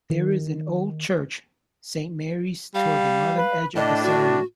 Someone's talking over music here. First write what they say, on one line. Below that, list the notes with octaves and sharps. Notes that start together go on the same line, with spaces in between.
There is an old Church, Saint Mary's toward the northern edge of the settlement.
D#3
G3 F5
B4
A2 D4 D#5
F#4